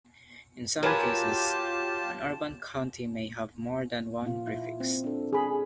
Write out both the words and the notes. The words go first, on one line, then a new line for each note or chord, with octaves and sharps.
In some cases, an urban county may have more than one prefix.
F#3 F4 G4 A#4 B4 G#5 A5
A#2 F4
E4
C4
D4 A4
G#4 B5